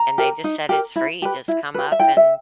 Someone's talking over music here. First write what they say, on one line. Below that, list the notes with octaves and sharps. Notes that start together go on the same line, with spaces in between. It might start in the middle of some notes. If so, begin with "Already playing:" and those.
and they just said "It's free, just come up and"
Already playing: A#5
G4 A#4
D#4
G4 A#4
E4
G4 B4
E4
G4 B4
E5
E4 G5
E5